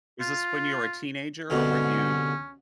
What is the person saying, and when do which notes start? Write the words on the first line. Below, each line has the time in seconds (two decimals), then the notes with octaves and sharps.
Is this when you were a teenager or were you
0.21 F4
1.50 C2 B2 D3 C#4